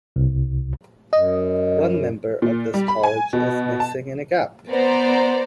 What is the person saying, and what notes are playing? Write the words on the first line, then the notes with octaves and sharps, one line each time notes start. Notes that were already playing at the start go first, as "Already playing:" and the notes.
One member of this college is missing in a gap.
C2
F#2 D#5
A#2
G3
B5
G#5
B2
A5
B3 C5 D5 A#5